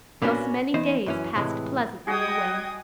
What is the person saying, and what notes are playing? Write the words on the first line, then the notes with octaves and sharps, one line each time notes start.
Thus many days passed pleasantly away.
A#2 A#3 B3 C#4 D4 F#4
E2 D#4 C5
F#2 E3 C#4
A2 C3 E3 G#3
G3 F#4 G#4 D#5 G5 D#6 G#6